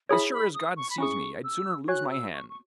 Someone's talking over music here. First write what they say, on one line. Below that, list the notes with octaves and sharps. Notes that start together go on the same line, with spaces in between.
As sure as God sees me, I'd sooner lose my hand.
E4 G#4 C#5 B5
B5
D#6
C#6
B5
C#4 E4 G#4 C#6
E6
F#4 C#5 G#5 F#6
E6
C#6
C#6